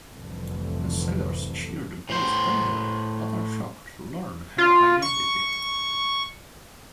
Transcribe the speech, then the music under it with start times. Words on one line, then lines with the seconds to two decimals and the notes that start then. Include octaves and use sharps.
The sailors cheer the boy's bravery, but are shocked to learn her identity.
0.13 F1 C2 F2 A2 D3 E3
2.09 A2 C5
4.58 F4
5.02 C#6